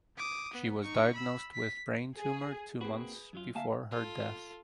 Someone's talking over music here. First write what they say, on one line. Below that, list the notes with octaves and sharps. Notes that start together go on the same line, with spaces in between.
She was diagnosed with brain tumor two months before her death.
D6 D#6
B3
D#4 C#6
B5 E6
B6
G#4
A#3 C4 F#4 G#4 B4
F#2 F#3 F4
D2 A#3 E5 F5 G#5 A5
F4 A4